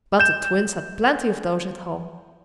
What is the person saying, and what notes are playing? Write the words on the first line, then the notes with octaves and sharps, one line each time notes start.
But the Twins had plenty of those at home.
G6 E7